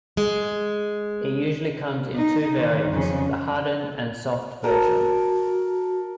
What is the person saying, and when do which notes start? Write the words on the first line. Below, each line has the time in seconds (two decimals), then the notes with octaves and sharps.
It usually comes in two variants: the hardened and soft version.
0.17 G#3
2.15 D#4
2.58 D3 D#3
2.91 F2 C#3
4.64 F#4 A4 A#4